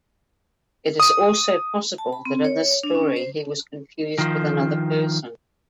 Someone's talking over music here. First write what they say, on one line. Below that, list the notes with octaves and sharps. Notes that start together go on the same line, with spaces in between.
It is also possible that in this story he was confused with another person.
D#6
A5
B5
C4
C#5
D4
C#4
C5
D#3 F3